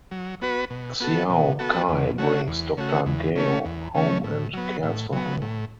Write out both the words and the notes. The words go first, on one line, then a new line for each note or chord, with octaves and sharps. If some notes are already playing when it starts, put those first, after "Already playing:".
Xiao Kai brings Doctor Gao home and cares for her.
F#3
B3 F#4 B4
B2
B3 F#4 A4
B2
B3 F#4 A4
E2
C#3 A3 F#4
E2
C#3 A3 F#4
E2
C#3 A3 C#4
E2
C#3 A3 C#4
A2
F#3 B3
A2
F#3 B3
A2